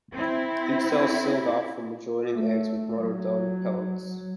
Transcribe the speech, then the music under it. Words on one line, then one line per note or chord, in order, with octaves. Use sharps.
Each cell is sealed off from adjoining eggs with mud or dung pellets.
C4 E4
A3
F#3